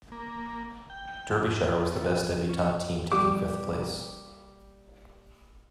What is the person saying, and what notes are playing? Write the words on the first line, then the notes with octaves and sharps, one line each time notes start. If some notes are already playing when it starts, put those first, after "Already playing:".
Derbyshire was the best debutant team, taking fifth place.
A#3
G5
F2
C#4
G3 G4 D6